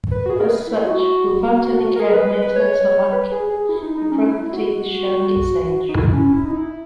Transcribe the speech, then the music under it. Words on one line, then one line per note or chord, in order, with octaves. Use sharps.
As such, without any care, maintenance, or upkeep, the property is showing its age.
B4
F#4
G#4
A#4
B4
E4
F#4
A#4
G#4
A#4
B4
B4
B4
C#5
B4
G#4
G#4
E4
D#4
D#4
C#4
E4
E4
F#4
D#4
E4
C#4
E4
D#4
E4